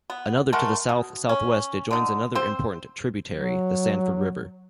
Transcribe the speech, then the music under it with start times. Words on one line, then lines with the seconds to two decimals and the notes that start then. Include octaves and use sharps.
Another to the south-southwest it joins another important tributary, the Sanford River.
0.10 B3
0.52 G#3 A3 A#4 F#5
0.89 B2
1.29 C#4
1.91 D3 D#4
2.35 C4 C5
3.33 F#3